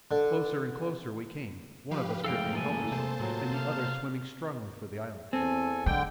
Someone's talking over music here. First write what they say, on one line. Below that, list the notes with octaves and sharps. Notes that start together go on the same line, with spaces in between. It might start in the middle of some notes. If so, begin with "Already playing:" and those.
Closer and closer we came, one of us drifting helplessly, and the other swimming strongly for the islands.
D3
F3 G4 B4 F5
F#2 C#3 E3 G#3 A3 A4 F5 G5
A#3 A4 G#5
C3 C5 A5
A2 F#3 F4
C3 F5
E2 C4 A4 G#5
D3 G#3 G5